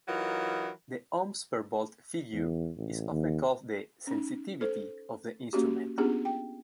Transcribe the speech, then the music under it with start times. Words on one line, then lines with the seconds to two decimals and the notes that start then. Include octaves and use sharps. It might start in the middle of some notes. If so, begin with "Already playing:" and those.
The ohms per volt figure is often called the "sensitivity" of the instrument.
0.08 E3 F#3 D#4 F4 A#4
2.33 E2
2.76 A1
3.10 D#2
4.07 C#4 D#4
4.61 A4 C5
5.53 A#3 C#4 F#4 G4
5.98 B3 C#4 D4 F4 G4 G#4
6.25 G5